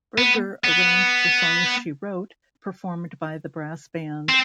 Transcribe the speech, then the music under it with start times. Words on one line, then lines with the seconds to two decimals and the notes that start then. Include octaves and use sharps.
Berger arranged the songs she wrote, performed by the brass band.
0.18 B3
0.64 B3
4.29 C4